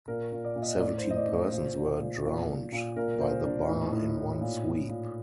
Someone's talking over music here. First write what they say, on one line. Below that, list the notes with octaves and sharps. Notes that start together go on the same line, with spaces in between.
Seventeen persons were drowned by the bar in one sweep.
A#2 A#4
A#2
D5
A#2
D#5
A2 D5
C5
A2
D#5
D5
A2
C5
A#2 C5
A#2
A#2
A#2
A#2
A#2
A#2 A#4
A#2 C5
A#2 D4
A2 D#4
A2
A2
A#2
A#2
A#2